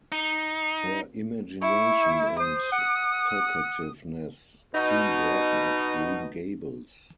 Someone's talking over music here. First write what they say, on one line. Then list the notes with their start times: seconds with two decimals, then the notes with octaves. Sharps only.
Her imagination and talkativeness soon brighten up Green Gables.
0.12 D#4
1.62 E4 C#6
2.40 C5 D#6
2.72 F#5
4.74 B2 D#4